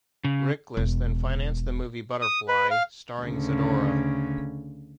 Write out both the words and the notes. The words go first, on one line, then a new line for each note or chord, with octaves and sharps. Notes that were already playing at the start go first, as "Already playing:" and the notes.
Riklis then financed the movie "Butterfly", starring Zadora.
C#3
E1
D#6
B4
F5
D2 C#3